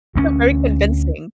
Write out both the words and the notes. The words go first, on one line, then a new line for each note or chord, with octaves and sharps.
You're very convincing.
D2 A3 C#4